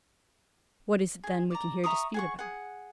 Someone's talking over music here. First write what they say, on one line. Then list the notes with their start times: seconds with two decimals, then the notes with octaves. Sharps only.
What is it then we can here dispute about?
1.24 G#4
1.51 D5 A#5
1.84 E5 A#5 C#6 D#6
2.14 G#4 F#5 C#6
2.39 G#4 F#5